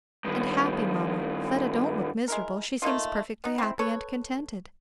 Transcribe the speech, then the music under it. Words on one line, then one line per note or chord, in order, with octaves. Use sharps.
"And happy, mamma--Fleda don't look miserable--she seems perfectly happy and contented!"
G2 D#3
G#3 E4 A#4
A3 A#3 D#4 F4
B3 D#4
C4 E4
A4 B4 C#5